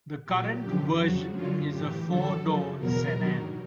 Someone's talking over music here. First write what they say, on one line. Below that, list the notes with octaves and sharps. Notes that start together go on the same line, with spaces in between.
The current version is a four-door sedan.
A#2 F#3 G4
F#2 D3 F3 G4
F2 C#3 F#3 F#4
F#2 D3 F#3 F4
A2 E3 G4
F#2 D3 F#3 A4
F#2 C#3 F3
E2 B2 F#3 A#4
G2 D#3 F#3